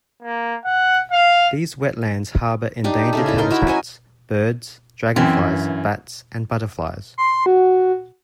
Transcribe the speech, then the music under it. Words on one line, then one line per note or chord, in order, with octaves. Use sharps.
These wetlands harbour endangered habitats - birds, dragonflies, bats and butterflies.
A#3
F#5
F5
D4 D#4 G4
C#3 G3 A3
E4 A4
D#4 A#4 C6
E4 F#4 E5
F#3 C#4 D#5 G#5
F#2 E3 C4
G2
C6
F#4